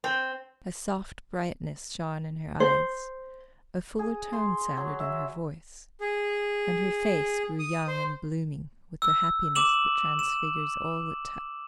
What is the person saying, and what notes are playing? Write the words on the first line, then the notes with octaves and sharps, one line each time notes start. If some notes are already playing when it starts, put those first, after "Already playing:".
A soft brightness shone in her eyes, a fuller tone sounded in her voice, and her face grew young and blooming with the happiness that transfigures all it touches.
C4
C5
G#4
C6
F#3
E5
G#4
D#6
C5
E6
D6 E7 F#7
E7